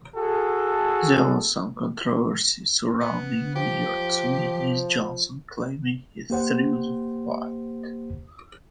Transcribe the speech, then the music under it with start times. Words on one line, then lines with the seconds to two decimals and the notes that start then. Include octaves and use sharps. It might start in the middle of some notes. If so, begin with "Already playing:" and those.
There was some controversy surrounding Willard's win, with Johnson claiming he threw the fight.
0.16 F#4 G#4 A4
3.00 B3
3.56 F3 G4
6.30 A#3 G4 C5 F#5